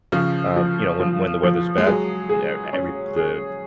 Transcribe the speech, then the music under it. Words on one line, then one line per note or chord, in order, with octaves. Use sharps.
um, you know, when when the weather's bad, e every the,
C#3 F3
F3
F3
F3
G#3
F#3 G#4
G#4
C#4
G#4